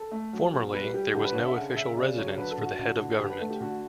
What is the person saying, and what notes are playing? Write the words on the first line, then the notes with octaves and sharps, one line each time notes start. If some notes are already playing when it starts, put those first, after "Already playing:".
Formerly there was no official residence for the head of government.
Already playing: A4
A3
F#3
B2
G3 B4
G3 G4
D3 G4
B4
D3 C#5
E5
C#3 F#5
C#3 E5
C#3 D5
F#3 C#5
D3 B4
A4
D3
F#4
D3
D3
D3 G4
B4
A3 A4
G4
D3 F#4